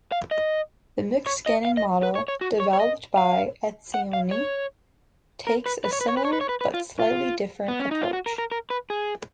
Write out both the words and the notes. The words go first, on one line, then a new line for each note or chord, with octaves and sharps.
The mixed scanning model, developed by Etzioni, takes a similar, but slightly different approach.
F5
D#5
C#5
D#5
F5
D#5
B4
C#5
C#5
F#4
C#5
C#5
D#5
F5
F#5
F5
C#5
A#4
B4
B4
C#5
B4
C#5
B4
C#5
B4
C#5
B4
B4
F4
F4
B3
C#4
D#4
F4
F#4
A#4
A#4
A#4
B4
G#4